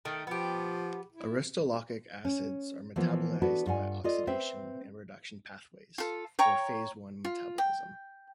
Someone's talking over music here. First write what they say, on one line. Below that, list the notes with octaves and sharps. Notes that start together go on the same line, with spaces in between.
Aristolochic acids are metabolized by oxidation and reduction pathways, or phase one metabolism.
D#3 A3
F3 B3 G4
E4
C#4
E3 F3 A#3 B3
B3 D4 F#4 A4 B4
G2 F4 F#5 G#5
F4 A4 D5 D#5
C4 B4 E5 G5
F4 A4
C#5 G5 A#5 C#6
F4
G5